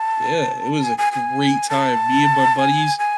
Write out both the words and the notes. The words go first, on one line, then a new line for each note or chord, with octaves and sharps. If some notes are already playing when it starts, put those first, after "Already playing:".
Yeah, it was a great time. Me and my buddies,
Already playing: A5
G#5
G#5
G#5
A5
A5
G#5
G#5